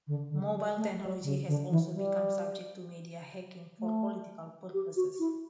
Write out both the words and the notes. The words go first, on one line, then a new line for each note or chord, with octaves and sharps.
Mobile technology has also become subject to media hacking for political purposes.
D3
D3
G3
A3
G3
C#3
D3
E3
G3
A3
G4
F#4
E4